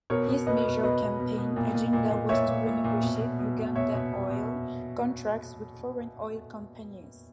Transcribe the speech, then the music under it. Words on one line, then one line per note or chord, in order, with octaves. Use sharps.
His major campaign agenda was to renegotiate Ugandan oil contracts with foreign oil companies.
B2 A#4 C#5
B2
B2 B4 D#5
B2
B2 B4 D#5
B2
B2
B2
A#2
A#2
A#2
A#2
A#2 C#5 E5
A#2
A#2
A#2
B2
B2
B2
B2
B2 C#5 E5
B2
B2
B2